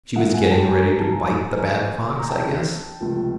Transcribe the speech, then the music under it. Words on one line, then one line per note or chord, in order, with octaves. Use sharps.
She was getting ready to bite the bad fox, I guess.
G2 D#3 G#3 E5 F#5
F#5 G#5
G#5
G5 A5
G#5 A#5
A#5
A5
G#5 A#5
G#5 A#5
A#5
G5 A5
C#2 C3 F3 A3